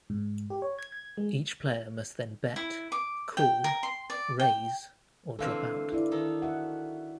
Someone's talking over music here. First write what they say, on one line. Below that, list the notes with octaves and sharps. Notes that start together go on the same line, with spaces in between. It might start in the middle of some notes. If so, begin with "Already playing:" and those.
Each player must then bet, call, raise or drop out.
G#2
G4
C#5
G#6
G#6
G#3
E4
D6
G5
A#4
C6
D5
G5
D3 E3 C4 A4 F5
E4 D5
D#3 D#4 A4
F#4 E5 F#5